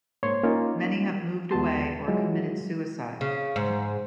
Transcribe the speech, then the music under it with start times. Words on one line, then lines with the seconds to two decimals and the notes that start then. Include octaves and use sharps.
Many have moved away, or committed suicide.
0.23 G#2 A#3 C5 C#5 C6
0.43 A#3 C#4 D#4 F4
1.51 D#2 G#3 B3 A5 C6
2.08 F#3 G#3 E4 F4
3.21 C#3
3.56 G#2